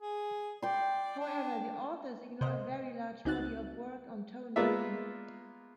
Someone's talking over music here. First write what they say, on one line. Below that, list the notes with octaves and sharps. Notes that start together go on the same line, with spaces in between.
However, the authors ignore a very large body of work on tone mapping.
G#4
D5 G5 C6
D4
C3 C5 D#5
C#2 C4 D#4 F#4 F#6 A6
G#3 A#3 B3 F4 D5 E5